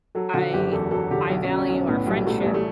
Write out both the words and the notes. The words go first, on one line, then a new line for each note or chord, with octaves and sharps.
I I value our friendship"
F#3 A4
D3 F#4
F#1 G4
E2 A4
F#3 A4
D3 G4
B1
C#4
F#3
C#4
B1
C#4
A2 B3
B1 G3
F#3 A3
G3
A1
A3